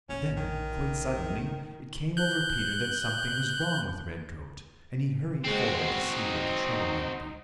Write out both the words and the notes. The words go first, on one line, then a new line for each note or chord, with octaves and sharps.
Then quite suddenly it came over Peter that something was wrong with Redcoat, and he hurried forward to see what the trouble might be.
A#1 A3 C#4
D#3
F#6 G6
G#3 C4 F#4 C5 G5
D#4